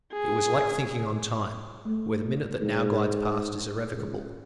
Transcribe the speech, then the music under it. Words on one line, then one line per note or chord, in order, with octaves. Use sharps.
It was like thinking on time, where the minute that now glides past is irrevocable.
G#4
A3
G#2
C#2